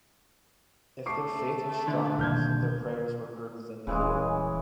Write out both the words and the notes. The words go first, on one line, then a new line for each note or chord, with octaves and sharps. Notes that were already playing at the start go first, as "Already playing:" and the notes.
If their faith was strong enough, their prayers were heard within the year.
A3 C#6 D6 C7
D3
B2 D#3 A#3 F6 G6 G#6
D#1 C#3 E3 G#3